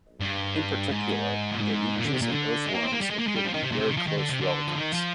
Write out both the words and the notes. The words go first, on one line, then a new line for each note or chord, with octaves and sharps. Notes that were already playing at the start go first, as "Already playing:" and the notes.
In particular, the leeches and earthworms appear to be very close relatives.
G2
G#2
A#2
G#2
A#2
D3
C3
A#2
D3
G#3
A#3
C4
A#3
G3
G#3
A#3
G#3
G3
F3
D#3
C3
A#2
C3
D#3
F3
D#3
D3
C3
D3
F3
D#3
F3